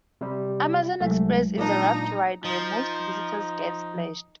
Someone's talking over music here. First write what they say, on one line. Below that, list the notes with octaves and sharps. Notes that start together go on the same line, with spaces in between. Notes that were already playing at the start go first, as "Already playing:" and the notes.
Amazon Express is a raft ride, where most visitors get splashed.
C3 G3
C2 F#3 G#3 A3
A#2 A#3 D4 D#4
F3 D#4